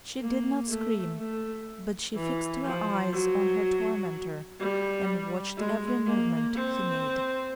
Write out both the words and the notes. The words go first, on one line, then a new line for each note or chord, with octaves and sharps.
She did not scream, but she fixed her eyes on her tormentor and watched every movement he made.
A#3
A3
A3
E3
F3
F#3
G3
G#3
A#3
C4